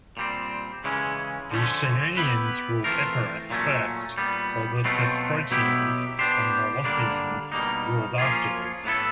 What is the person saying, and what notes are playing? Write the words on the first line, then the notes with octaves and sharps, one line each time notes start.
The Chaonians ruled Epirus first while the Thesprotians and Molossians ruled afterwards.
A#2 G3 C4
C#3 E3 G#3 C#4
D3 F3 A3 C#4
B3 E4 G4 B4
E3 A3 C4 F4 A#4
A#2 F#3 A3 C#4
A#2 G3 B3
B2 F#3 A3 C4 F4
B2 F#3 B3 E4 G4
B3 D4 G4 C5
D3 G3 A#3 D4
B2 G3 A#3 D#4
F3 A#3 C#4 F4 G#4
A2 F#3 B3 E4 A4